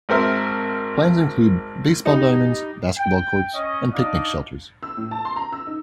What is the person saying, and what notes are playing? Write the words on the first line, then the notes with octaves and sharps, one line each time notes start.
Plans include baseball diamonds, basketball courts and picnic shelters.
G#1 C4 A#4 E5
G3 D#4
G5
C#4 C#5 D#5
D4 D#4 D5 D#5 F5
E6
A2
A5
C6
A#5
E6
D#4